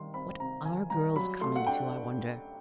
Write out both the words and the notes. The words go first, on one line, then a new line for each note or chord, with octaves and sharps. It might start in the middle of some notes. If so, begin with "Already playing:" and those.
'What are girls coming to, I wonder?
Already playing: D#3 G3 C6
C4 B5
C3 A#5
D#3 G#5
G3 A#5
F#3 B5
A3 C6
F#5
D4 G5